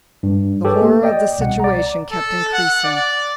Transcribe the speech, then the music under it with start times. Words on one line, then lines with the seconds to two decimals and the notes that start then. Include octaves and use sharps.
The horror of the situation kept increasing.
0.23 G2
0.65 G4 A4 B4 C#5
0.81 A#3
1.03 D5 D#5 G5
1.39 C2 B2 F#5
1.60 D5 A#5
2.12 A4
2.54 F#5
2.84 D5